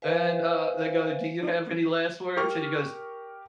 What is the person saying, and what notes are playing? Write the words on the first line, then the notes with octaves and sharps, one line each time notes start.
and, uh, they go, "Do you have any last words?" and he goes,
B4 C5 E5 F5 G#5
G4 A#4 C#6 F6